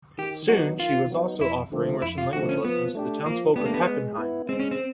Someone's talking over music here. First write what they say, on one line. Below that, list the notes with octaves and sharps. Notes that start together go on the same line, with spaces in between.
Soon she was also offering Russian language lessons to the townsfolk of Pappenheim.
D#3 G4
F#3 B3 D#4 F#4
D#3 F4
F#3 B3 D#4
F2 E4
D3 F3 A3 C4
F2 E4
F4
D3 F3 A3 C4 F#4
C#4
F3 B3
A3 D4 G4
F3 A#3
A3 B3 D4 G4
A#3
B3
G#3
B3 E4
G#3 C4
C#4
C4